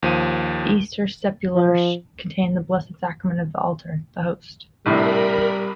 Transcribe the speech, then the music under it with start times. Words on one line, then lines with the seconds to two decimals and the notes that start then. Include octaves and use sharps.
The Easter Sepulchre contained the Blessed Sacrament of the altar, the Host.
0.03 D#2 F3 D#7
1.55 F3
4.86 A#1 A2 C3 G3 A#4 B5